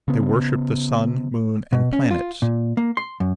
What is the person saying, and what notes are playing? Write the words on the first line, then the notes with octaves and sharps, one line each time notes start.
They worshipped the sun, moon, and planets.
C#3 B3
B2
C#4
F4
A#2
A#3
C6
F#2